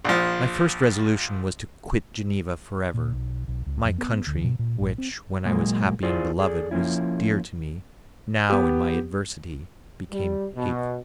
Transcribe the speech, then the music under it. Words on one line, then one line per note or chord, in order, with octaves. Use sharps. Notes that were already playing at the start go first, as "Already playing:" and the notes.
My first resolution was to quit Geneva forever; my country, which, when I was happy and beloved, was dear to me, now, in my adversity, became hateful.
A#1 F3
A#2
B1
B1
C#2
F2
B3
D2
B2
A#2
A1
C4
A#2 F#3 G#3 A#3
E4 F4 G#4 C5 D5
G#4 A4 D5
F3 A#3 C#4 E4
B3 G4
G3
B2